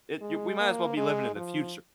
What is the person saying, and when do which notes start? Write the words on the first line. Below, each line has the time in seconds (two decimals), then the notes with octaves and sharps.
it you We might as well be living in the future
0.21 G#3
0.59 A#3
0.97 G#3
1.35 F3